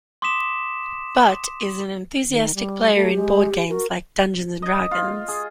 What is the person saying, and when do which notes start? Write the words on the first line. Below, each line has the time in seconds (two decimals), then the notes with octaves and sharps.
Butt is an enthusiastic player in board games like Dungeons and Dragons.
0.22 C6 D6 D#6 B6 E7
2.28 D#3
2.55 G3
2.94 A3 G4
3.15 G#3
3.69 F#4 A#4
4.62 D#5
4.91 F4
5.28 G#4